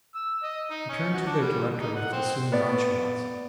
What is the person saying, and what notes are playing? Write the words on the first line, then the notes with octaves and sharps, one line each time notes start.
He turned to the director with assumed nonchalance.
E6
D#5
D#4
C#4
F#4
D4
G3
D#4
F#5
C4
B3 D5